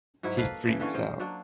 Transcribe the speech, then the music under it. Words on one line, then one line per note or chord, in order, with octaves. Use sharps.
He freaks out.
G#2 F#3 E4
A#3 A4 B4 F5
C#3 E3 E5
D3 E3 C#4
C5 D#5 F5
F#3 A#3 D4